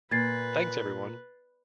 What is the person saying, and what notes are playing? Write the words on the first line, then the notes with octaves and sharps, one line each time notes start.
Thanks everyone!
A#2 B4 G#6 A6 C7